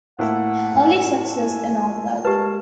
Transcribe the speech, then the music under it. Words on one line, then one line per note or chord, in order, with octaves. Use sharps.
Early success and all that.
A2 A#3 E4 F#5
G#5
G#3 G4 A#4 B4 A5